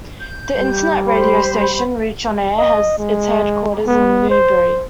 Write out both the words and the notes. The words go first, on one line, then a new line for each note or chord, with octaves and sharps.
The internet radio station Reach OnAir has its headquarters in Newbury.
G6
G3
C5 B5
D#5
G#3
B3
C5